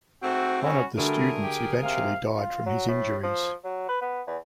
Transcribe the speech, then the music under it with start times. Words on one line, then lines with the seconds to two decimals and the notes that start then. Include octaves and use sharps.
One of the students eventually died from his injuries.
0.23 G#2 A3 C4 F#4
0.64 C#4 F#4 B5
0.98 D3 G3 A3 F#4 G#4 A#4
1.42 G4
1.83 C3 F5
2.37 F4
2.66 F#3
2.88 A2
3.23 F3
3.65 F#3
3.89 B4
4.01 B3
4.27 E2